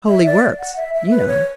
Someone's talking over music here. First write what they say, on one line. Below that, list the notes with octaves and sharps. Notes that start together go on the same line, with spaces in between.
Holy works, you know.
E5
D5
F#5
E5
E5
B4
C#5